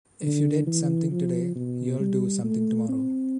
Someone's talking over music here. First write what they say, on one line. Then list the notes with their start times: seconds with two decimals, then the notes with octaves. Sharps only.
If you did something today, you’ll do something tomorrow.
0.23 D3
0.67 E3
1.12 F3
1.56 B2
2.00 G3
2.44 A3
2.89 C4